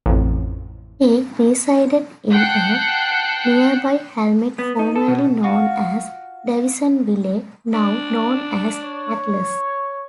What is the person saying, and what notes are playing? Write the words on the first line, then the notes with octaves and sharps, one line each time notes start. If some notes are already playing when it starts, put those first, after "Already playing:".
He resided in a nearby hamlet formerly known as Davisonville, now known as Atlas.
A1 F2
F#5 G5 A5 F#6 C7 C#7
B3
D#4
A4
B2
F4 F#4 F5
D4
C#5